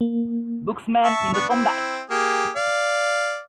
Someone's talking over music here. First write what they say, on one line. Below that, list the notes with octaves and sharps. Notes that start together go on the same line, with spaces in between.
Buxman in the Combat!
A#3
E5 A5 C#6
B3 D4 C#6
C4 E4
A#3 G4 G#4
D5 F5